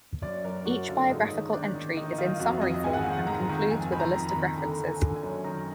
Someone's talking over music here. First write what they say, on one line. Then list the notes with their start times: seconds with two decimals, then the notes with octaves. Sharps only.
Each biographical entry is in summary form and concludes with a list of references.
0.22 F#2 D5
0.44 F#2 A#4
0.65 F#2 F#4
0.88 D3 F4
1.10 G#2 D#4
1.31 D#3
1.53 D#3 D4
1.75 D#3
1.97 D#3 D#4
2.12 D#4
2.18 D#3 F4
2.39 F2 F#4
2.61 F2 D#5
2.83 G#2 G#5
2.93 F#5
3.03 D#3 F5
3.13 F#5
3.27 G#2 A#5
3.49 D#3
3.70 F2 G#5
3.92 D#3 B5
4.00 A#5
4.14 F2
4.29 B5
4.36 D#3
4.58 D3 A#5
4.80 D3
4.87 G#5
5.02 D3
5.16 G#5
5.23 F#2
5.44 D#3 A#5